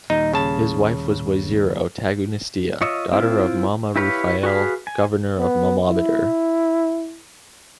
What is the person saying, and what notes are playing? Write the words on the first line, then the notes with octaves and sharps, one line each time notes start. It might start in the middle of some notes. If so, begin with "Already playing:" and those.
His wife was Woizero Tagunestiya, daughter of Mama Rufa'el, Governor of Mamameder.
D#2 A#2 G3 D#4
C#3 A5
F4 C#5 D#5 E5
C4 E4 F4
E4 G4 B4 C#5 F5
F#4 G#4 B4 F5
G#5
B3
E4